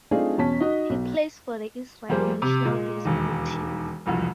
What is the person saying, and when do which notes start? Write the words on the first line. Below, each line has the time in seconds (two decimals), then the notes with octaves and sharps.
He plays for the Israel National Baseball Team.
0.11 A3 C4 D4 D#4 F4 G#4
0.38 E2 B2 C#4 A5 B6
0.60 D#4 F#4 D#5
0.90 B1
2.09 F2 G3 A#3 G#4 C5
2.42 C3
2.65 A#2 G#3
3.05 E1 D#2
4.06 E1 C2 F2